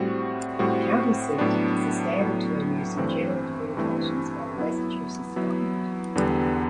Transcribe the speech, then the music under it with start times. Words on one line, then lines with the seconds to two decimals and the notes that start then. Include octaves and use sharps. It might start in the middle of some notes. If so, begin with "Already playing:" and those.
"County seat" is the standard term used in general communications by the Massachusetts government.
Already playing: A2 G3 C4 F#4
0.59 A2 G3 C4 F#4
1.38 A2 F#3 B3 D4
2.18 A2 F#3 B3 D4
2.97 G2 E3 A3 C4
3.77 G2 E3 A3 C4
4.57 F#3 B3 E4
5.36 F#3 B3 E4
6.15 E2 D3 G3 B3